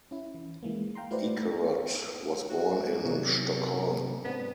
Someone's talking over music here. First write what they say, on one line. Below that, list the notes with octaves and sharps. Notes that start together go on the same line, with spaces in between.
Ekerot was born in Stockholm.
C#4 E4
E3
E3 G#3 A#3
F5 G5 A#5 C6
A3 E4 F#4 B4 C5 D5
F#4
C3 F#3 A#4 C#5 D5
G#2 B3 C4 D4 F#5